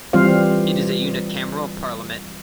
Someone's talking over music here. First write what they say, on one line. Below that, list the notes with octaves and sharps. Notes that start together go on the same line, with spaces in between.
It is a unicameral parliament.
E3 G3 C4 F4 C5 F5